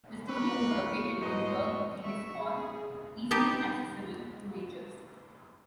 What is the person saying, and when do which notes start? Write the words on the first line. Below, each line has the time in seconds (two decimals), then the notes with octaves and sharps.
The studio is located in Hugh Gillis Hall, easily accessible to majors.
0.29 G4 A#4 B4 C#6
0.71 A2 F5
1.21 G#2 B2 C5 D#5
2.02 E5 C#6
2.41 G#4
3.31 B3 D#4 G4 A5